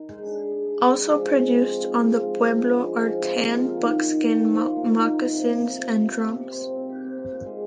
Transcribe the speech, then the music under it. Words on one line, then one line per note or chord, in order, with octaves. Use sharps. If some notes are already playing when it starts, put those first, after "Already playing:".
Also produced on the pueblo are tanned buckskin moccasins and drums.
Already playing: D#3 D#4
G#3
D4
G#4
G#4
G#4
D4
G#3
F3
F3
F3
C4
F3
F4
G#3
F3
F3
F3
D4
G#3
F3
F4
F3
C3
F3
F4
A#3
D#3
A#3
D#4
D#3
D#3
F3
F3
A#3
D#4
D#4
D#4
C3
C3
F3
C3
C3
C3
G4
C3
C4
C4
C4
G4
C4
C4
A#2
G#3